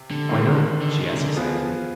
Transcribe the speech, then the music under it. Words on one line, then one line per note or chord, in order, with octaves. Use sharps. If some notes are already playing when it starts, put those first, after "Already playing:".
"Why not?" she asked excitedly.
Already playing: C3
D3
G#2 D#3 G#3
D3
D#3
C3
D3
F3 B3 F4 G#4